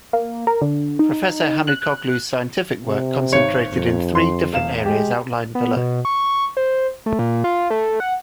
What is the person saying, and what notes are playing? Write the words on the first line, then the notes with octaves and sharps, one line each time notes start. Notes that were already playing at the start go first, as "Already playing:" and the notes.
Professor Hanukoglu's scientific work concentrated in three different areas outlined below.
A#3
A#4
D3
D#4
F#6
C3
G#1 C#5 C#7
F2
C6
E1 F5 E7
G#3 G4
B3
B2
C#6
C5
A3
A#2
F4
A3
F#5